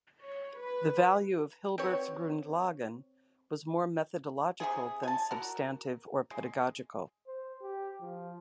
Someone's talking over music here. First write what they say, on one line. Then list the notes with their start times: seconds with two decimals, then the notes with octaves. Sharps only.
The value of Hilbert's "Grundlagen" was more methodological than substantive or pedagogical.
0.23 C#5
0.59 B4
1.78 C4 F#4 B4 C#5
4.60 C3 F3 G#4
5.03 G#5 A5
5.31 F#4 A#4
6.31 G#3
7.27 C5
7.62 G4
8.00 F3